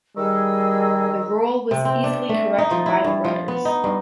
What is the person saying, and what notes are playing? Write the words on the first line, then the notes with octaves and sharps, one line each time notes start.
The roll was easily corrected by the rudders.
D#3 G3 G#4 D#5 E6
C3
C4
D4
A3
D#4
F3
E4
G2
F3
B3
D#4
G2